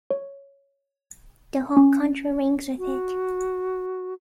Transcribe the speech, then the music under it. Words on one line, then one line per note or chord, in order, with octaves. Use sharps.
The whole country rings with it.
C#5
C#4
F#4